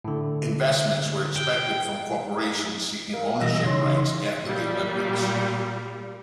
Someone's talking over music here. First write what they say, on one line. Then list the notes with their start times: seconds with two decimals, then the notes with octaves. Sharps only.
Investments were expected from corporations seeking ownership rights after the Olympics.
0.04 A2 D3
1.36 G5
3.14 A#4 F5
3.41 B2 E3 G3 D#5 E6 A#6
3.65 C#3 E3 D#4 C#5 C6
4.45 A#2 G3